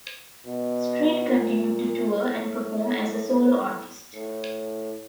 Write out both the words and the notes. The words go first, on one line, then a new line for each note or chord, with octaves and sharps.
Street continued to tour and perform as a solo artist.
B2
A#2
A2
A2